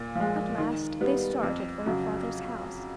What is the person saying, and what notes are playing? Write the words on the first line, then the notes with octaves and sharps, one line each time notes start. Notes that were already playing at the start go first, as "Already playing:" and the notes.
At last they started for her father's house.
Already playing: A#2
F3 G#3
D#3
G3 B3
F2
C#3 F#3